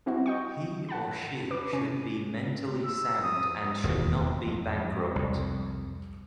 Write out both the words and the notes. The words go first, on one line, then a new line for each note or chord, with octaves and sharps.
He or she should be mentally sound and should not be bankrupt.
G3 C4 E4 F#4
D#5 G5 C#6
F#5 A5 B5
B4 D6
C3 C#4 D#7
E6
D#6
E1 D#2
F2
C2 F2